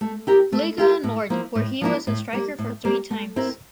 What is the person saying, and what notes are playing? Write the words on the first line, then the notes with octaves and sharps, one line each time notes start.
Liga Nord, where he was a striker for three times.
A3
E4 G4 A#4
A3
E4 G4 A#4
A2
F3 A#3 E4
A2
F3 A#3 E4
A2
G3 A#3
A2
G3 A#3
A3
C4 E4 A#4